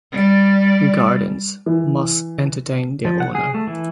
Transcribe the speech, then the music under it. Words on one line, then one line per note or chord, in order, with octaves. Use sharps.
Gardens must entertain their owner.
G3 D5
E3
F3
F#5
G#4
A3
E3